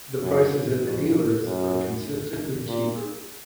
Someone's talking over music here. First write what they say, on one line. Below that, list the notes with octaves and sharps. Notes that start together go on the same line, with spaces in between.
The prices at the dealers are consistently cheaper.
F#2
F2
F#2
A#2